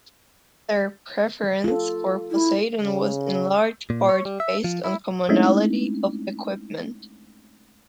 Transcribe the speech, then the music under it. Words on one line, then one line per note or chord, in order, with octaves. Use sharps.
Their preference for Poseidon was in large part based on commonality of equipment.
F4 A4
E4
C#3
A#2
C#5
G3
E5
F3
E4
G#3 A3 C4 C#4 D#4 E4